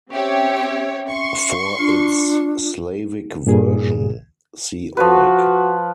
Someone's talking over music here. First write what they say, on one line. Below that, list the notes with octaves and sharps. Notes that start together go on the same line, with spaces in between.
For its Slavic version, see Oleg.
C4 C#4 G4 C#5 E5
C6 C#6
D4 F4
G2 A#2 G#4
F3 F#4 B4